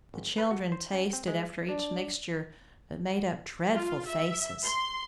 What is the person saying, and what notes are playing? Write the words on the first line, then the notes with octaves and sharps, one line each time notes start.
The children tasted after each mixture, but made up dreadful faces.
G#1
B4
F#4
C5
C#4
C4
G#3
D4
F4
E5
C6